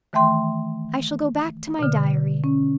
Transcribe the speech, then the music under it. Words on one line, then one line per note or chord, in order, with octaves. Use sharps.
I shall go back to my Diary.
D#3 E3 A3 E5 G5 C6
B2 D3
C#4